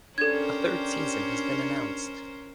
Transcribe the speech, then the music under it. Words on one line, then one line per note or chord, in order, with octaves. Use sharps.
A third season has been announced.
C#4 D4 G4 A4 A#4 C5 G#6